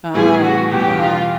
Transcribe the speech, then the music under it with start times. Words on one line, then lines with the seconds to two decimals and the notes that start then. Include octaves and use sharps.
Oh, wow.
0.14 A2 E3 G3 B3 G#4
0.43 F#4
0.71 E2 B2 G3 G4
0.99 F4